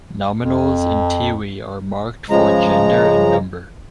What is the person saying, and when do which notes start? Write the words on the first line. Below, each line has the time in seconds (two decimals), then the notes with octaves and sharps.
Nominals in Tiwi are marked for gender and number.
0.39 F2
2.30 C#3 F3 G#3 A#5